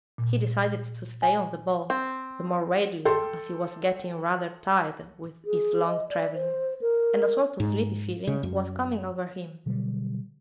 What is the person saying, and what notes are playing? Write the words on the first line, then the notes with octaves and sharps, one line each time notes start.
He decided to stay on the ball, the more readily as he was getting rather tired with his long traveling, and a sort of sleepy feeling was coming over him.
A#2
G#5
C4
A4 G5 C6
G#4
D#5
D5
C5
A#4
G#2
C#3
F#2
B2 D3 F#3 G3